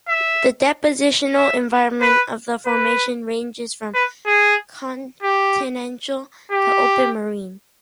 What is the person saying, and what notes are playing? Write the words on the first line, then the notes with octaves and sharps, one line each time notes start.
The depositional environment of the formation ranges from continental to open marine.
E5
E5
B4
B4
B4
G#4
G4
G4